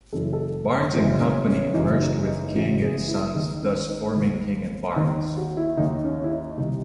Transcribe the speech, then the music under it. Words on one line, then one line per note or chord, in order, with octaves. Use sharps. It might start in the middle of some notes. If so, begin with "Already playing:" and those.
Barnes and Company, merged with King and Sons thus forming King and Barnes.
F#1 F#2 E3 A4
A4
C#5
F#1 F#2 E3 C5
C#4
C#4
F#1 F#2 E3 D#4
D#4
D#4
F#1 F#2 E3 F#4
G#4
E4
D#2 D#3 D#4
C#4
D#4
D#2 D#3
D#2 D#3 D#4
F#4
E4
D#2 D#3 D#4
C#4
E4
D#4
C2 C3 D#3 D#4